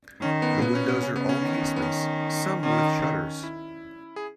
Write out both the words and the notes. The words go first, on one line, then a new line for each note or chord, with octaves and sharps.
The windows are all casements, some with shutters.
D#3 C#4
B3
A#2 B3
C#4
B3
C#3 C#4
B3
C#4
D#3
B3
D#3 C#4
D#3 C#4
E4
G#4